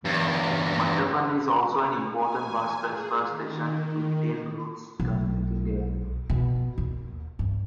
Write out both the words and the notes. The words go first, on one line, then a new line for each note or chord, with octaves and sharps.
Mattapan is also an important bus transfer station, with ten routes terminating there.
E2 G2
G#5
G#4
D#3
B1
B2
D#2
G2